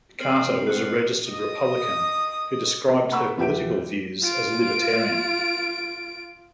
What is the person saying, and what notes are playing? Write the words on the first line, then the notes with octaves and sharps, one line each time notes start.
Carter was a registered Republican, who described her political views as libertarian.
C4 F6 C7 F#7
G#2 B2 A4 F#6 C#7
D#5 D#6
F#5 A#5 B5 C#6 E6
E2 F3 G4 E5 G5 D7
F4 D7